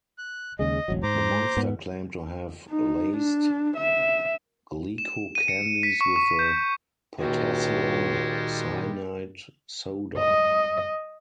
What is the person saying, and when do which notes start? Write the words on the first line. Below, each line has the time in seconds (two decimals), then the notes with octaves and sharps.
The Monster claimed to have laced Glico candies with a potassium cyanide soda.
0.18 F#6
0.59 D#2 C#3 G#3 D#5
0.88 E1 A1 F#3
1.03 G#2 C5 A#5 D6
1.57 G#2 B3
2.70 D#4
3.17 D4
3.77 E5
4.98 E7
5.35 D#7
5.48 C#7
5.83 B6
6.01 C#6
6.16 C#6
6.39 G6
7.20 C#2 A#2 D#3 G3 G#3 A#3 F#4
10.17 D#5